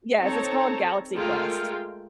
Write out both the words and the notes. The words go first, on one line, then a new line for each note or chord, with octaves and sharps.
Yes, it's called Galaxy Quest.
C4 D#4 A4 C#5 A5 A#5
G#3 A3 F4 A#4 G5